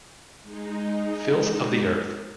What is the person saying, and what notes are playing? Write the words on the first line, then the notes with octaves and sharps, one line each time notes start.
Filth of the earth!
G#3 D#4